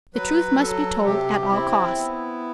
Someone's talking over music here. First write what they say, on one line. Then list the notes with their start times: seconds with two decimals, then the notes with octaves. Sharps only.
The truth must be told at all costs.
0.14 F#3 B4
0.60 F#3 A4
1.05 C3 G4
1.51 C4 E4
1.96 B3